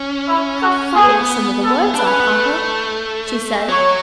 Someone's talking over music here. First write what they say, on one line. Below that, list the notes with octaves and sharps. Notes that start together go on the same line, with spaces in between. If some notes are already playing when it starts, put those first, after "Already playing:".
"How funny some of the words are, papa," she said.
Already playing: C#4
E4
F#4
B3 G#4
A3
B3
A4
D4 B4
C#4
B3
A3
F#3 C#5